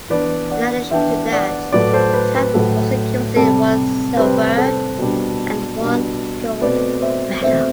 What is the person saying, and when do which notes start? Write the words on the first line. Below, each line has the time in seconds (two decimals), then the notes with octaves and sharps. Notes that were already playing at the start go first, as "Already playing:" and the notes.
In addition to that, the town also gives away one silver and one gold medal.
0.10 E3 B3 D4 B4 D5
0.50 D5 F#5
0.91 E3 B3 D4 E5 G5
1.32 D5 F#5
1.72 A2 F#3 A3 B4 D5
1.93 A4 C5
2.14 B4
2.35 B4
2.54 A2 F#3 A3 A4
3.36 C3 G3 C4 A4
4.17 C3 G3 C4 B4
4.58 A4 C5
4.98 B2 G3 D4
5.80 B2 G3 D4
6.61 B2 A3 C4 B4 D5
7.02 C5 E5
7.42 B2 A3 C4 C5 E5